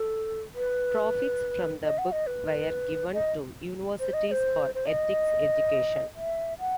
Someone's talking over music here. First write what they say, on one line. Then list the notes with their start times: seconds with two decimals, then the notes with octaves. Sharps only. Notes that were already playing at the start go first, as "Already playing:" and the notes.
Profits from the book were given to universities for ethics education.
Already playing: A4
0.55 B4
1.84 D#5
1.98 F#5
2.12 D#5
2.27 B4
3.13 D#5
4.00 C5
4.13 D#5
4.28 D#5
4.31 C5
4.75 C5
4.86 D#5
6.15 E5
6.59 F#5